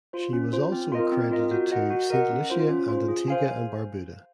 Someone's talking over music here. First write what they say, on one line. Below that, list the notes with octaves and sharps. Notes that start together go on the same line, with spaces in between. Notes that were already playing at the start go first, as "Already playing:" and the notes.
She was also accredited to Saint Lucia and Antigua and Barbuda.
F4 C5
C#4
F4 C5
C4
F4 A#4 D#5
C4
F4 A#4 D#5
F#4
A#4 D#5 F#5
F#4
A#4 D#5 F#5
C#4
F4 C5
C#4
F4 C5
G#4
C5 F5 G#5